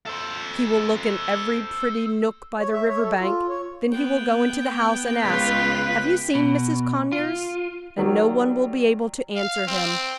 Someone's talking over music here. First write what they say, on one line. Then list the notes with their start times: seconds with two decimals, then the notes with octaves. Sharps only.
He will look in every pretty nook by the river-bank, then he will go into the house and ask, 'Have you seen Mrs. Conyers?' And no one will be able to answer him.
0.06 A4 C5
2.59 C#5
2.72 E5
2.88 C#5
3.02 A4
3.21 F4
3.49 C#5
3.92 B3 G5
5.22 C#2 F4 B4
6.35 B2
7.12 F4
7.98 D#3 F#3 G3
9.36 F5
9.67 C4